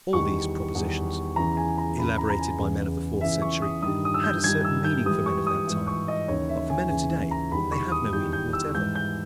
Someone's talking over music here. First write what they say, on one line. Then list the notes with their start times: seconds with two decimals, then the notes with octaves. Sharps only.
All these propositions, elaborated by men of the fourth century, had a certain meaning for men of that time, but for men of to-day they have no meaning whatever.
0.13 E2 D#3 G3 C#6
0.75 E2 D#3 G3
1.36 E2 C#3 E3 A#5
1.57 G#5
1.78 A#5
1.97 E2 C#3 E3 B5
2.18 A#5
2.30 A#5
2.39 G#5
2.59 E2 C#3 E3
3.20 E2 C#3 E3 E5
3.42 C#6
3.62 D#6
3.82 G2 D#3 G3 D#6
4.05 D#6
4.14 E6
4.24 G6
4.44 G2 D#3 G3 G#6
4.64 E6
4.84 G6
5.05 G#2 E3 G3 D#6
5.26 C#6
5.47 D#6
5.67 G#2 E3 G3
5.87 C#6
6.08 D#5
6.28 D#2 C#3 E3 C#5
6.49 E5
6.70 G#5
6.90 D#2 C#3 E3 G#5
7.31 A#5
7.52 E2 D#3 G3 B5
7.72 C#6
7.92 D#6
8.13 E2 D#3 G3 G6
8.33 G6
8.53 E6
8.74 G#2 E3 G3 G6
8.95 G6